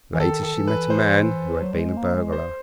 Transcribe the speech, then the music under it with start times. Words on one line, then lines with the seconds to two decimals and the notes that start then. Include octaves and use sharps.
Later she met a man who had been a burglar.
0.14 E3
0.19 D#3 A4
0.43 A4
0.55 E3
0.67 B4
0.90 C5
1.62 F#3
1.73 G3
1.79 G#3
1.97 A#3
2.15 G#3
2.33 C5